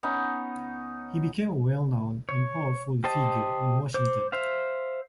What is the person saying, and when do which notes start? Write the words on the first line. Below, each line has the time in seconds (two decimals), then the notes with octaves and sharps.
He became a well-known and powerful figure in Washington.
0.03 B3 C#4 D#4
2.29 C#5
3.04 G4 C5 D#5 A5
3.94 C5 D6
4.32 C5 E5 F5